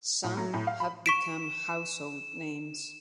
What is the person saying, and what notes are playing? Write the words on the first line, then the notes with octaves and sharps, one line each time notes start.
Some have become household names.
A2
F#3
A2
F5
B5
C#6 B6 D7 E7